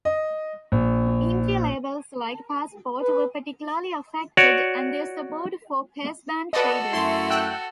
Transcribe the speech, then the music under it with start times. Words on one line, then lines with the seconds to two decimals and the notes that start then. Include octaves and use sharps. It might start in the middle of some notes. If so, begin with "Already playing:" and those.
Indie labels like Passport were particularly affected, and their support for Pezband faded.
0.05 D#5
0.72 A#1
3.01 B4
4.37 F#4 C#5 D5
6.53 F#4 A4 B4 D5 D#5
6.93 F#2 A3 E4 C6
7.30 G5 E6 F#6